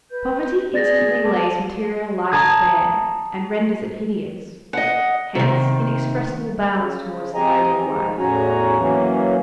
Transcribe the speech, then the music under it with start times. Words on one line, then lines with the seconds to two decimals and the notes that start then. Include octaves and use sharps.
Poverty instantly lays material life bare and renders it hideous; hence inexpressible bounds towards the ideal life.
0.10 B4 G6
0.74 G#4 D5 A6 A#6
1.24 A4 A5 D6
2.32 A5 A#5 D#6 G#6
4.73 D#5 F#5
5.35 C3 D#3
6.73 C#3
7.35 C4 G4 D#5 G#5 A#5
7.84 F3 G#3 D#4
8.18 E2 A2 C#4 F#4 G#5 A#5
8.77 E3 F#3 A#3 C#4